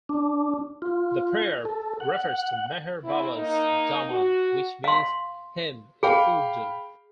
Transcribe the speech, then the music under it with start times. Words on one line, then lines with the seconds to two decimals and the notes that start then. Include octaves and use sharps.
The prayer refers to Meher Baba's "daaman", which means "hem" in Urdu.
0.09 D4
0.82 F4
1.65 A4
2.00 F#5
3.04 D2 C4 E4
3.35 A#3 D#4
4.10 F#4
4.84 F5 C6
6.03 G#4 F5 G5 B5